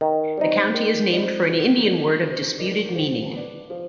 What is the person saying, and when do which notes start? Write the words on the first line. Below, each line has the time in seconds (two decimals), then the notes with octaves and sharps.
The county is named for an Indian word of disputed meaning.
0.01 D#3
0.37 G3 C4 D#4
0.74 D#3
1.11 G3 C4 D#4
1.49 C3
1.86 D#3 G3 D4
2.22 C3
2.59 D#3 G3 D4
2.95 F3
3.33 B3 D4
3.70 F3